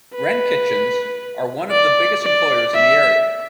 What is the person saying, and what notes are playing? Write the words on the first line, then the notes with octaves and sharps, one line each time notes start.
Wren Kitchens are one of the biggest employers in the area.
B4
D5
D5
E5